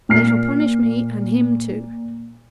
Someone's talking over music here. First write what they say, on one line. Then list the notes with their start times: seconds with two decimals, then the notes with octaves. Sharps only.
They shall punish me and him too.
0.09 A#2 F6 C7